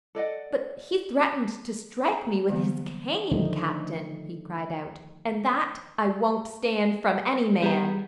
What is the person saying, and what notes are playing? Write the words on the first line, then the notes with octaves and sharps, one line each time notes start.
"But he threatened to strike me with his cane, Captain," he cried out, "and that I won't stand from any man!"
A4 D5 D#5 F#5
G#4 A#5
D3 E3 F#3 G3 A#3 B3
D3 D#3 F3 A3 D4 D#4
G3 B3 G#4 A#5